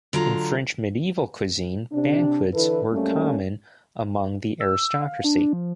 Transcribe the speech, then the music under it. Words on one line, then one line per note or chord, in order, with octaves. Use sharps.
In French medieval cuisine, banquets were common among the aristocracy.
D3 F#3 F4 A#5
C3 D4
D3 E3 E4 A4 B4
F#2 G3 A3 A#3 C#4
E6
F5
D4
F3